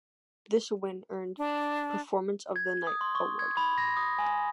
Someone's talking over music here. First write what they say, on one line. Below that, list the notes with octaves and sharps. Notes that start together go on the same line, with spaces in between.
This win earned "Performance of the Night" award.
D4
G#6
D#6
C6
C#6
G#6
B5
A#6
D#6
G#5